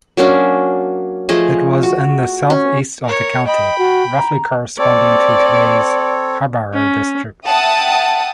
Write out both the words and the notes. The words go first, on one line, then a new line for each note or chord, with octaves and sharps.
It was in the south-east of the county, roughly corresponding to today's Harborough district.
F#3 A#3 C#4 D4
F3 A3 G#4 D#5
F#4
C#4
A#4 C#5
D#5 G5 B5
F#4
A#5
C4 A4 C#5 D5
C#4
E5 F#5 G5 A5 D#6